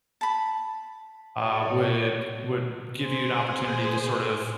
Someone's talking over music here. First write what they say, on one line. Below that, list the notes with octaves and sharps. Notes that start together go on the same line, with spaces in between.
uh, would would give you an opportunity to sort of
A5 B5
F#4 A4 C#5 D5
G#4 C5